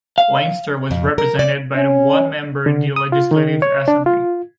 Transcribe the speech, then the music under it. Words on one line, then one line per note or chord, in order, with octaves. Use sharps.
Leinster was represented by one member in the Legislative Assembly.
F5
F2
A#4
D5
C#4
D3
D#6
F4
D#3
C#5
D4
F4